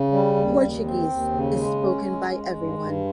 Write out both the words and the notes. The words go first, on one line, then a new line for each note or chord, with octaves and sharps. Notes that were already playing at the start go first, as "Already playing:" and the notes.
Portuguese is spoken by everyone.
Already playing: C#3
G3
D#2
D#2
C4
D#2
C#3
G#3
C#4
G#3
G#3
G2
G2